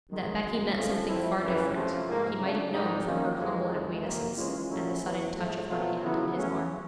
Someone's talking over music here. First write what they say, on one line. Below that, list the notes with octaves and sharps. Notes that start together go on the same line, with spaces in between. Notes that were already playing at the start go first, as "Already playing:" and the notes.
That Becky meant something far different, he might have known from her humble acquiescence, and the sudden touch of her hand on his arm.
F#2 D#3 G#3
F#2 D#3 G#3
F2 D3 F3 A3 C#4
F3 A3 C4 E4
F#2 C#3 E3
C3 F3 A3 C#4 F4
G#2 F3 A#3
C#3 F#3 A3 D4
G#2 D#3 G3 C4 D#4
D#3 F#3 A#3 C#4 F4
F2 C3 E3 G#3
F2 C3 D#3 G#3
C3 D#3 F#3 A#3
E3 G#3 C#4 F4
A#2 F#3 A3 C#4 E4
E2 C3 E3
G#2 F3 A3
B2 F#3 A3 C4 F4
C#3 F#3 B3 E4
E2 C#3 F#3 A3 C#4